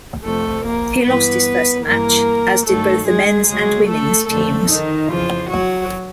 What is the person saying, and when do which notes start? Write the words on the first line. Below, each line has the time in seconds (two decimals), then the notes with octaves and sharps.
He lost his first match, as did both the men's and women's teams.
0.24 F2 C3 F3 A3 A4
0.64 A#3 A#4
1.04 G2 E3 B3 B4
1.85 G2 E3 A#3 A#4
2.66 G2 D#3 F#3 A3 A4
3.07 G#3 G#4
3.47 D2 C#3 F#3 G#3 G#4
3.88 A3 A4
4.28 F2 D3 F3 A3 A4
4.69 D#3 D#4
5.09 F2 C#3 E3 F3 F4
5.50 F#3 F#4